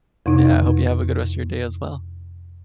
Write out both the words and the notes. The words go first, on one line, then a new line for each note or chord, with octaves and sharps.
Yeah. I hope you have a good rest of your day as well.
F2 C3 D#4